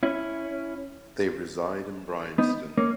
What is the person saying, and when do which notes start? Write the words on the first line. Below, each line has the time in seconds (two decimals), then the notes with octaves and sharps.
They reside in Bryanston.
0.03 C#4 E4
2.38 B3 D#4
2.78 A#3 C#4